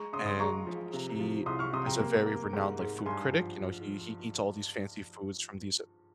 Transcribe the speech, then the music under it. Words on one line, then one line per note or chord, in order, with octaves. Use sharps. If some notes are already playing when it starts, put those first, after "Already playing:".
and he is a very renowned, like, food critic, you know, he he eats all these fancy foods from these
Already playing: G#3 A#5 C#6
C#3 C6 D#6
C6 D#6
G#3 A#5 C#6
F3
C3
F3
C2 C6 D#6
C#6 F6
C3 C6 D#6
G5 A#5
A#3
A#3
G#2
G#2
G2 G#5 C6
F3